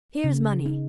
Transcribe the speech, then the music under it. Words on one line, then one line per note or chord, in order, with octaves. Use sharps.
Here is money.
C#3
D#4